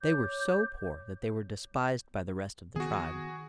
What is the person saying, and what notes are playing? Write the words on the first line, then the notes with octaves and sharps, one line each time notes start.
They were so poor that they were despised by the rest of the tribe.
C#5 D6 G6
D#3 B3 F#4 G#4